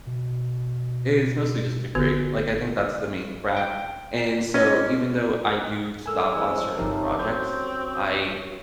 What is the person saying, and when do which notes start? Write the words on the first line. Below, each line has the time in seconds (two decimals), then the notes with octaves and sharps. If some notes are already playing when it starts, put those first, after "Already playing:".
It is mostly just to create. Like, I think that's the main craft, and so even though I do stop on certain projects, I
0.07 B2
1.95 G1 D3 B3 F#4
3.57 G5
4.54 C#4 D#5
6.06 E3 A#3 A4 C#5 E5 G#5 E6 F6
6.34 G2 C3 E3 G#3
6.77 G1 G2 C3 F3 C#4 D#4 A4 A#4
7.19 C4 F#4 G6